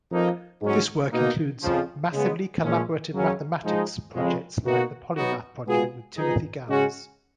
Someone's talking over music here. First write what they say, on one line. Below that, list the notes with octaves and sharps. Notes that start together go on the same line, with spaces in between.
This work includes "massively collaborative mathematics" projects like the Polymath project with Timothy Gowers.
F2 F3 A#3 D#4
G#2 F#3 C#4
B2 A#3 D#4
F2 C#3 F3
C#3 G#3 B3
A#2 F3 G#3 C#4
F#2 C#3 F#3 C#4
G#2 F3 G#3 D#4
F2 C#3 G#3
B2 A#3 D#4 F#4
B2 F#3 B3 D#4 F#4
B2 G#3 B3 F4 G#4
F3 B3 D#4 G#4
C#3 G#3 C#4 F#4